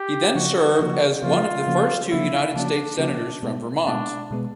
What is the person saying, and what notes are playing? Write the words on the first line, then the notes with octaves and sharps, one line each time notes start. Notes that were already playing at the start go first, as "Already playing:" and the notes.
He then served as one of the first two United States Senators from Vermont.
Already playing: G4
C#3 F3 A#3 F#4
C#3 F3 A#3
C#3 F3 A#3 F4
C#3 F3 A#3 C#4 F#4
C#3 F3 A#3 C#4 E4 F#4
C#3 F3 A#3 C#4 D4 F#4
C#3 F3 A#3 C#4 D4 F#4
B2 G#3 B3
B2 G#3 B3 D4
B2 G#3 B3